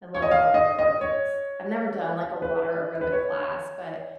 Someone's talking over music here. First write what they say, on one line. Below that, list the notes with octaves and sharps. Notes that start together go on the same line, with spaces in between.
I love water aerobics. I've never done, like, a water aerobic class, but
C#5
D#5
F5
D#5
D#5
C#5
B4
B4
C#5